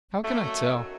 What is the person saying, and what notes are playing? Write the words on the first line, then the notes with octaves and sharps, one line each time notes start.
How can I tell?
F#2 D#3 F#3 A3